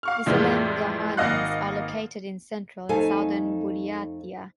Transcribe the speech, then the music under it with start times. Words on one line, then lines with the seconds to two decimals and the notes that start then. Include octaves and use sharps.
The Selenga Highlands are located in central and southern Buryatia.
0.03 F5 C#6 F6
0.26 F2 A2 E3 G3 G#3
1.17 G#1 A#3 D#5 F5 F#6
2.89 F2 A3 D#4 A4 F5 G#5